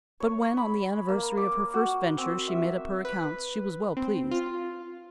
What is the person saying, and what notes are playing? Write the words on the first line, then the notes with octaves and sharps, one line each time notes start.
But when on the anniversary of her first venture she made up her accounts she was well pleased.
C#5
B5
A#3
D6
F#4
C4
E5
B4
C4
F4